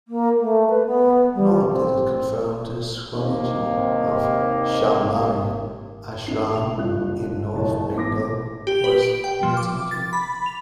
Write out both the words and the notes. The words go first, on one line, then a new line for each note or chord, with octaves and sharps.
Nor did it confirm the Swamiji of Shaulmari Ashram in North Bengal was Netaji.
A#3
A3
B4
B3
G3
C4
D#2 C3 D#3 A#3
G#1 D4 C7
F7
F#1 C#2 G2 F4 F#6
F#1 C#2 G#4 C#5 A5
A1 B3 D6 A#6
G4
B4
D7
G5
F3
D6
A6
B5
F7